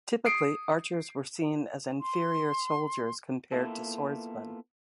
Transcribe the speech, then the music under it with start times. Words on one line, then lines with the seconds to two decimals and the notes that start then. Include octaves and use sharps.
Typically, archers were seen as inferior soldiers compared to swordsmen.
0.25 D#6 C7 D7
2.01 C6
3.52 A#3 B3 E4 F4 A4